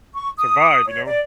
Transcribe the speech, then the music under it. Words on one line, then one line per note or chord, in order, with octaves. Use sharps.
survive, you know?
C#6
D#6
C#5
D5